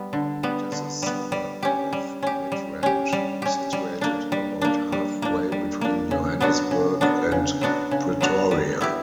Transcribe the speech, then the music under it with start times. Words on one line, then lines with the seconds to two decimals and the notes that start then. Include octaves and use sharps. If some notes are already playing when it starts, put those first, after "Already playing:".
It is a suburb of Midrand, situated about half way between Johannesburg and Pretoria.
Already playing: G3 B3
0.13 D3
0.43 G3 B3
0.72 D3
1.02 G3 B3
1.32 G3
1.63 C#4 G4
1.93 G3
2.23 C#4 G4
2.52 G3
2.83 C#4 G4
3.13 G3
3.42 C#4 G4
3.73 G3
4.01 A#3 D4
4.32 G3
4.61 A#3 D4
4.92 G3
5.22 A#3 D4
5.52 G3
5.81 A#3 D4
6.11 C#3
6.40 F#3 B3 D4 F#4
6.71 C#3
7.01 F#3 B3 D4 F#4
7.32 C#3
7.61 F#3 B3 D4 F#4
7.91 C#3
8.21 F#3 B3 D4 F#4
8.51 G3
8.81 B3 E4 G4